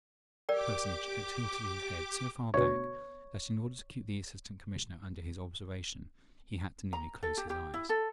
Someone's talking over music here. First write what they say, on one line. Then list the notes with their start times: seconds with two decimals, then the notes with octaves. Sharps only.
The Personage had tilted his head so far back that, in order to keep the Assistant Commissioner under his observation, he had to nearly close his eyes.
0.49 G4 A#4 D5 G5 D6
2.54 D2 B2 C#5
6.93 A#5
7.23 A4
7.37 G4
7.50 G4
7.74 E4
7.89 A4